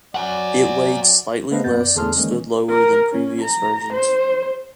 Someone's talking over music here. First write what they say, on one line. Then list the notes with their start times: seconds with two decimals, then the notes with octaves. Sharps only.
It weighed slightly less and stood lower than previous versions.
0.15 F#3 D5 F#5 G#5
1.51 A3 B3 B4 C5 D#5 F5
1.64 F#2 A#3 B3 G6 A6
1.80 D5
1.95 E2 D3 D4 G#4 C6 F6
2.16 D#3 E3 G#3 A#3 C#4
2.70 A#4
3.13 C#4
3.41 A#5
3.93 C5